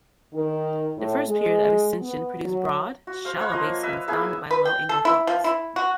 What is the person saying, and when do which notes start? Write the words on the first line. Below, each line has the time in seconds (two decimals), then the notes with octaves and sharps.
The first period of extension produced broad, shallow basins bounded by low-angle faults.
0.33 D#3
0.98 A2
1.28 G#3
2.01 B3
2.43 F#3
3.07 F#4
3.25 C5 F5
3.39 C#5 F5 F#5 B5
3.52 F3 A#3 D#5
3.83 B4 E5
4.08 A#3 B3 E4 G#4
4.51 B4
4.65 G5
4.89 A4
5.05 E4
5.27 F3
5.44 E4
5.76 F#4